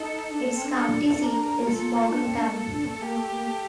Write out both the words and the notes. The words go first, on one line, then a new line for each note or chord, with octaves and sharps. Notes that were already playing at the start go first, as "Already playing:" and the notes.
Its county seat is Morgantown.
Already playing: D#4 A4
D4 A4
A#3
C4
D4
A4
A#4
G4
F4 A4
D4 A4
C4
D4
A#3
D4
A3
A#3 G4
A3
A#3
A3